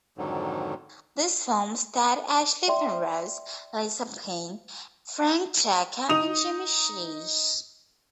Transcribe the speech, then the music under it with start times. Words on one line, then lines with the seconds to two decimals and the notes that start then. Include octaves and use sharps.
This film starred Ashley Penrose, Lisa Payne, Frank Tucker and Jamie Sheehy.
0.18 F2 G#2 D3 D#3 F#3
2.68 D5 E5 G5 C6
6.09 D#4 D#6 F7